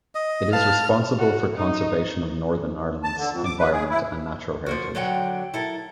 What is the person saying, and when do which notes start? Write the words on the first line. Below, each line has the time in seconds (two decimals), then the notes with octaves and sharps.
It is responsible for conservation of Northern Ireland's environment and natural heritage.
0.15 D#5
0.53 B4 F5 A5 F6
1.19 F#4
1.56 D#4
3.04 A5
3.17 D3
3.31 F2
3.45 D6
3.59 B4
3.72 G#4
3.89 E4
4.66 F3 A#3 F#4
4.95 D3 F#3 F#5 G5
5.54 E4 A4 A#4